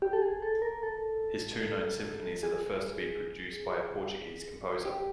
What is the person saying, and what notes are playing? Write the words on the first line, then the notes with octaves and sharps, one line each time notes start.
His two known symphonies are the first to be produced by a Portuguese composer.
G4
A4
G#4
A4
A#4
A4
G#4
G4